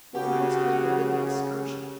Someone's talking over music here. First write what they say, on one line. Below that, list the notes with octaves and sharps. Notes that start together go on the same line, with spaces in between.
But we must make a little excursion.
C#3 F#4 G4 F#5